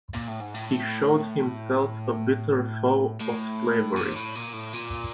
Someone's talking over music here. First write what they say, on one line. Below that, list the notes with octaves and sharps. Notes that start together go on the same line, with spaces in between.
He showed himself a bitter foe of slavery.
A#2
A2
G#2
A2
A2
A#2
A2
A#2
A2
A#2